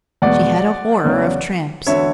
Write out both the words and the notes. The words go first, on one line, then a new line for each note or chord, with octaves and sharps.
She had a horror of tramps.
E2 B2 G#3 B3 D5 F#5
E2 C#3 F#3 B3
E1 D2 D3 C#5 E5